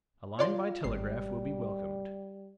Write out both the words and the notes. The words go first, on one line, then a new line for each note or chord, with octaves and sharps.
A line by telegraph will be welcomed.
F4 C#5 D5 C6
G#1 G3 C7